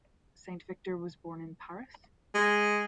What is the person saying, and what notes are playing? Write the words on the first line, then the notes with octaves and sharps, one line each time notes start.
Saint-Victor was born in Paris.
G#3